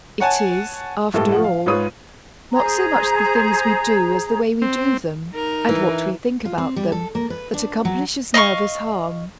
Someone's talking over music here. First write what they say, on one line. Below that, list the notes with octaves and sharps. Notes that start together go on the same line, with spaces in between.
It is, after all, not so much the things we do as the way we do them, and what we think about them, that accomplishes nervous harm.
C#5 F#5 G#5 A5
G1 A2 G#3 G4 A4
F3 F#5
F5
G#2 F4 B4 C#5 D#6 D#7
G#4 C5 A#5
C4
D#4 A#4
E3
F4
C4
G3
A4
A#3
B4
D4
F#3
D#5 F5 B5 C#6